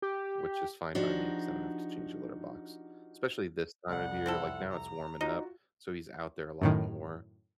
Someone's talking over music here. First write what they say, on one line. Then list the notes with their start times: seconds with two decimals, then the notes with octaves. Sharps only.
Which is fine by me 'cause I don't have to change a litter box. Especially this time of year, like, now it's warming up, so he's out there a lot more.
0.02 G4
0.95 F3 D4 D#4 F#4 G4
3.89 C2 F2 F#5
4.26 C4 E4 A4
4.72 A#5
5.21 D#4 F4 F#4
6.62 F#2 A2 D#3